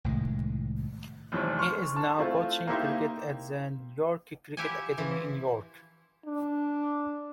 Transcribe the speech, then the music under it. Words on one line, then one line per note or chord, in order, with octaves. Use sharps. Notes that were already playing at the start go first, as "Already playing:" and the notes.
He is now coaching cricket at the York Cricket Academy in York.
C2 A2 D#3 G#3
F1 F2 D#3 E3 C4 C#5
C6 C#6 F6
A5
A3 C4 E4 F4
A#3 C4 D#4 E4 G4 C5
F3 E4 G4 E5 F#5 G#5
E3 F3 E4
D4